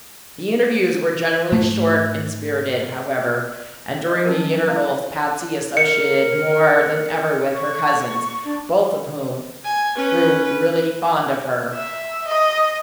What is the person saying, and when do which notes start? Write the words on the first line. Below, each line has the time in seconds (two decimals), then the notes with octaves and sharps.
The interviews were generally short and spirited, however, and during the intervals Patsy associated more than ever with her cousins, both of whom grew really fond of her.
1.52 G#2 A3
4.09 D#5
4.25 F3 F#3 C#4 D#4 A#4
4.68 E4 F5
5.77 A#4 C#7
7.54 C#6
8.45 D4
9.65 G#5
9.96 C#4 B4
10.45 B4
11.74 E5
12.27 D#5